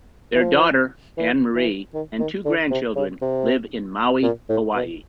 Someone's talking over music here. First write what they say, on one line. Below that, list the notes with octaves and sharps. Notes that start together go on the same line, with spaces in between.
Their daughter, Anne Marie, and two grandchildren live in Maui, Hawaii.
E3
F3
E3
E3
D#3
D#3
D3
C3
C#3
C3
A#2
A2
B2